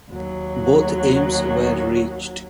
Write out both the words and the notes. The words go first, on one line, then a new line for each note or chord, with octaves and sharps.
Both aims were reached.
D#2 F#3